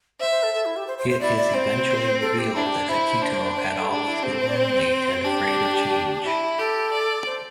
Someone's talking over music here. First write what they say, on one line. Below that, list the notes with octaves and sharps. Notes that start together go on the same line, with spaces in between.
It is eventually revealed that Akito had always been lonely and afraid of change.
C5 E5
C5
A4
A4
E4
G4
C5
C5
C5
E4 D5
D5
C4 C5
A4
G4
D4 E4
G4
E4 C5
D4
C5
A4
D4 G4
E4
C4 G4
A4
C5
D5
C5
D4 G4
E4
G4 A4
D5
C5